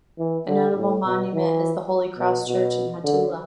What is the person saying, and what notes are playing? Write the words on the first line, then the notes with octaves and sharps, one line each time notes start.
A notable monument is the Holy Cross Church in Hattula.
E3
D3
A2
B2
E3
B2
B2
D3